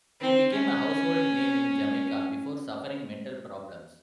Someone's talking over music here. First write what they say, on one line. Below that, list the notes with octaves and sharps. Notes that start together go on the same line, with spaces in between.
He became a household name in Jamaica, before suffering mental problems.
C4
C#4